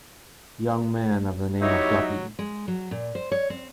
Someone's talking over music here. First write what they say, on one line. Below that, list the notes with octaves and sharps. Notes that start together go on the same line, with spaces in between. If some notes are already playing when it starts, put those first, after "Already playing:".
Young man of the name of Guppy!
F#3 D#4 E4 G4 C#5 E5
G#3
F#3
A#2
C5
C#5
C4